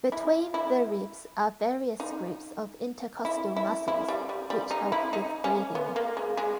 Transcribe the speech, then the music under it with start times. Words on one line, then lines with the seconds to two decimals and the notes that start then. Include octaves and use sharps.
Between the ribs are various groups of intercostal muscles, which help with breathing.
0.12 E4
0.54 E4
2.00 D#4
3.25 E4
3.56 E4
3.88 E4
4.08 G3
4.29 G3
4.50 G3
4.71 D#4
4.92 E4
5.13 D#4
5.44 C#4
5.75 B3
5.96 A#3
6.17 G#3
6.37 G#3